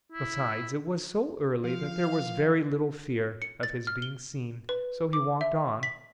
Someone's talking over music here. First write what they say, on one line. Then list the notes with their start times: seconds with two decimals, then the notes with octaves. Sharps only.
Besides, it was so early that there was very little fear of his being seen; so he walked on.
0.12 E4
1.64 F3 F5
3.42 C#7
3.63 A6
3.87 F6
4.02 G7
4.69 B4
5.13 D6
5.41 E5
5.83 B6